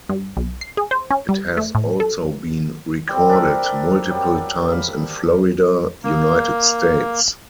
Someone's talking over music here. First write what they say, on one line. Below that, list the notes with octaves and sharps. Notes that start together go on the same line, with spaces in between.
It has also been recorded multiple times in Florida, United States.
G2
B1
C7
G#4
C5
C#4
G3
A3
A2
A4
G3 C4
D4 A#4 D5 E5
F#2 G3
F5 B5
A#3